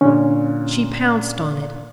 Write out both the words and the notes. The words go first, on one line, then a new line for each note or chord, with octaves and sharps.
She pounced on it.
A#2 D3 C#4